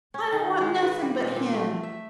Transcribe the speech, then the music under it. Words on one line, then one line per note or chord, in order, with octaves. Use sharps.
"I don't want nothing but him."
C#4
D#3
G#3
B4
G3
A#2
A#2
A3
E5